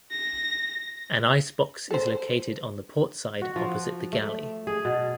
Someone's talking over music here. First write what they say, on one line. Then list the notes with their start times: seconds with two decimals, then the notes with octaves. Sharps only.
An ice box is located on the port side opposite the galley.
0.12 A#6
1.91 A4 C5
3.42 F#4
3.56 F3
4.13 A3
4.67 G#4
4.85 B2